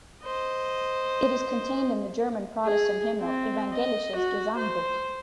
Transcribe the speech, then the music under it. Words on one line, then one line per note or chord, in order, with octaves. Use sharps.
It is contained in the German Protestant hymnal "Evangelisches Gesangbuch".
C5 D#5
G#4
C4
D#5
F#4
C5